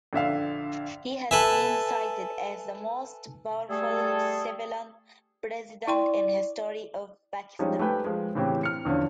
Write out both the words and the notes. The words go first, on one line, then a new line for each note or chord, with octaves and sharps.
He has been cited as the most powerful civilian president in history of Pakistan.
A#1 D3 E5 F5
A4 B4 E5 G#5 A5
G3 A3 G#4 A4
E4 D5 G5 C6
F3 G3 G#3 C#4 D#4
A3 G4 B4 G5 G#5
F3 G#3
A2 C#3 E3 C4 C#4 G4
F6 C#7
E2 D3 F3 C#4